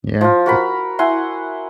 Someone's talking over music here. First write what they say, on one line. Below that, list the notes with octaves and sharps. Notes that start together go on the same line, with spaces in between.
Yeah, it
F3 F4
F#4 A#4 B5
E4 F#5 G#5 C6